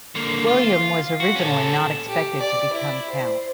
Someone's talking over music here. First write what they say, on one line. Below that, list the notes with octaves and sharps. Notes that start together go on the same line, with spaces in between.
William was originally not expected to become count.
D3 A#3
F4
F#4
C#4 A4
G4
D5
E4
C5